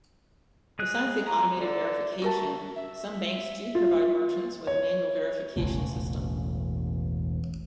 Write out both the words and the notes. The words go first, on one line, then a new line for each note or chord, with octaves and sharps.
Besides the automated verification, some banks do provide merchants with a manual verification system.
G#3 G#4 F#6
C5 A#5
D3
A3 F#4 A#4 A5
E5
F4
C#5
E1 A1 C#3 A3